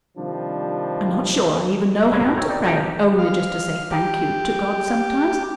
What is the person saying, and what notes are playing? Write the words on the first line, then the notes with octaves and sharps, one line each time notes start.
I'm not sure I even know how to pray, only just to say 'Thank you' to God sometimes.
C3 D#3 F3 G3 D4
C2 G#3 A3 E4 D5 G#5
G#2 B2 F3
F#3 C4 A#4 C#5 F5
G3 D#4 G4 D5
B1 F3 C#4 D#4 G4
F5
G4